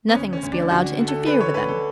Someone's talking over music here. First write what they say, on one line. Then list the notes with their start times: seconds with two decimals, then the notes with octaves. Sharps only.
Nothing must be allowed to interfere with them.
0.08 B3
0.14 D2 C#4
0.33 C#4
0.43 D2
0.52 D4
0.71 D2 F#4
0.99 D3
1.08 A4
1.26 D3 B4
1.41 C#5
1.54 D3 B4
1.69 A4